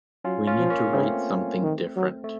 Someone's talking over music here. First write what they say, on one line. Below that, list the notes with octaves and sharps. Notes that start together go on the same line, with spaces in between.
We need to write something different.
F#3 C#4 F4
C#4 F4
F3
A#3 C#4
C#3 A3 C4
D#3
F#3
A3